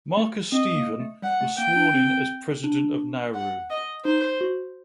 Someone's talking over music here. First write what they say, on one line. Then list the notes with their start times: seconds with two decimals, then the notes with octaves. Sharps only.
Marcus Stephen was sworn in as President of Nauru.
0.17 A3
0.52 C4 D#5
0.76 A#3
1.00 A3
1.22 G3 F#5
1.41 A3
1.58 A#3 G5
1.76 D4
1.94 C4
2.64 D4
3.34 F#5
3.70 D#5
4.05 D#4 C5
4.41 F#4